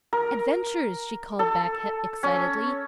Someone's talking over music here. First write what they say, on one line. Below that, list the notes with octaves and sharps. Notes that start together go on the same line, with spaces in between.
"Adventures!" she called back excitedly.
A#4
A4
C#4